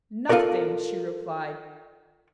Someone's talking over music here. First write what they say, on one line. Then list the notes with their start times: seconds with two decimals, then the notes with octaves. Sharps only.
"Nothing!" she replied.
0.29 F4 F#4 A4 A#4 D5